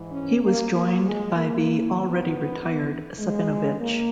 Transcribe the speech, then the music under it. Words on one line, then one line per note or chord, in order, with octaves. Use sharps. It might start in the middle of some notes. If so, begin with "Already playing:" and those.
He was joined by the already retired Savinovich.
Already playing: G#2 E3
C#4
A#3
A#3
G#3
A#3
G#2 D#3 B3
G#3
A#3